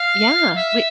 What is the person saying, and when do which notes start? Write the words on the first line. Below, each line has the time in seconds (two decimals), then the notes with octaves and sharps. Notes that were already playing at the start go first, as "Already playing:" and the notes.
Yeah, we
Already playing: F5
0.55 E5